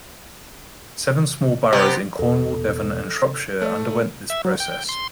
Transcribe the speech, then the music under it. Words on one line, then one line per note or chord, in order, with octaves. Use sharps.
Seven small boroughs in Cornwall, Devon and Shropshire underwent this process.
C3 B3 C4 G4
E2 B2 A4
A3
E5
F#3
G5
C6